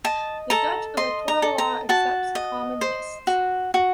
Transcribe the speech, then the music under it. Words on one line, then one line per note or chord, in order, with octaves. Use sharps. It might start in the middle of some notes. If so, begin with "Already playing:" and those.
The Dutch electoral law accepts common lists.
D#5 A5
A4 A#5
D#5 C6
A#5
A4
A#5
F#4 A5
D#5
C5
F#4
F#4